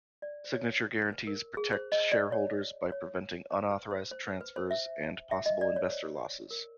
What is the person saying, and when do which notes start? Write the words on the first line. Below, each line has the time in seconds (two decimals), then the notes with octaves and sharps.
Signature guarantees protect shareholders by preventing unauthorized transfers and possible investor losses.
0.22 D5
0.44 C5
0.53 C#5
1.13 B4
1.27 A#4
1.57 G#4
1.73 C5
1.92 D#5
2.12 D5
2.32 C#5
2.92 C#5
3.51 C5
3.71 B4
3.91 C5
4.11 C5
4.27 B4
4.41 B4
4.56 C5
4.71 E5
5.31 E5
5.46 D#5
5.61 D5
5.76 C#5
5.90 C5
6.51 A#4